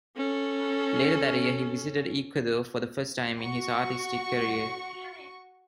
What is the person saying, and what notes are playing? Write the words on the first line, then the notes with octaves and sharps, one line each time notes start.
Later that year he visited Ecuador for the first time in his artistic career.
C#4 A4
F#4 C#6